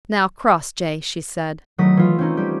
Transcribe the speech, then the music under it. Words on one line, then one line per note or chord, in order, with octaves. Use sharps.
"Now, Crossjay," she said.
D#3 F#3 A3 E4 D#6 B6
E3 F4
C4 C#4 D#4
G3 G4